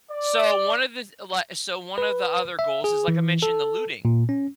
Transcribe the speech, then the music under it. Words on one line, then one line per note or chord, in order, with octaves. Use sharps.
So one of this li so one of the other goals is, like I mentioned, the looting.
D5
B4
E5
G#4
E3
A4
A#2
C#4